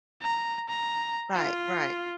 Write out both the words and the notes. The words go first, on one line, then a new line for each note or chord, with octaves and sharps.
Right, right.
A#5
A#5
F4